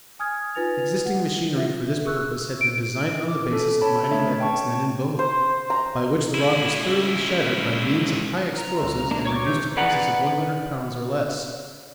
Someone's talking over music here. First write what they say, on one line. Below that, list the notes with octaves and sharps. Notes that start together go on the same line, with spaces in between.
Existing machinery for this purpose had been designed on the basis of mining methods then in vogue, by which the rock was thoroughly shattered by means of high explosives and reduced to pieces of one hundred pounds or less.
G#5 D#6 F6 G#6
D#4 F4 B4 G#5 A6 F7
F#5
F4 E5
G#4 A#4 C#6 E6 F#6
D7
D6
C#4 A4
C#5 A5 B5
A3 C#5 E5 F5
G5 A5 C#6
C5
A#5
C#2 E4
A#5
C#2 C5 E5
A#3 D4
C#5 C#6 D6
C3 E3 G6
G#4 B4 D5 F#5 A#5